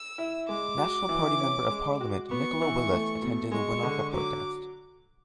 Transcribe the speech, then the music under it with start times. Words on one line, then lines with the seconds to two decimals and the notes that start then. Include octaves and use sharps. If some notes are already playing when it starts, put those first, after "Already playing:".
National Party Member of Parliament Nicola Willis attended the Wanaka protest.
Already playing: E6
0.18 E4
0.48 G#3 D6
0.78 F#4
1.09 E3
1.40 C#4
1.70 G#3
2.01 F#4
2.31 B3 C#6
2.62 E3
2.91 A3
3.22 B2
3.52 G#3 C#6
3.83 D3
4.13 F#3 D6